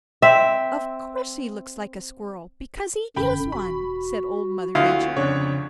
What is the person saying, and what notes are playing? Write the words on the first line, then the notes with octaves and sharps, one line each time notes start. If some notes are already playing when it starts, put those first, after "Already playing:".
"Of course he looks like a Squirrel, because he is one," said Old Mother Nature.
C4 E5
E1 F#2 D3 G5 B5
F#4 B5
D2 E4 F4 F5
F2 C#3 D4 C#5